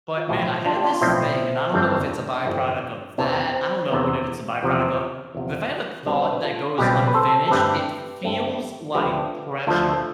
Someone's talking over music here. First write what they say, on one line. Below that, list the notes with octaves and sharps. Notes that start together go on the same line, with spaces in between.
but man, I had this thing and I don't know if it's a byproduct of that. I don't know what it's a byproduct of, but if I had a thought that goes unfinished, it feels like pressure
F4
B1 A2 F3 E4 G4
D4 F4
G4
D4 F4
F4
B1 A2 F3 C4 E4
G1 F2 E3 G3 C4 D4
G1 F2 E3 G3 C4
E2 C3 E3 B3 D4
C4
C4
E2 C3 E3 B3
E2 C3 F3
E2 C3 F3
B1 B2 G3 C4 D4
B4
F4 A4
B1 B2 G3 C4 G4 B4
B4
A4 C5
A4
G2 D3 A3 C4 G4 B4
G2 D3 A3 C4
D2 D3 F3 A3 G4 B4
D2 D3 F3 A3 F4 A4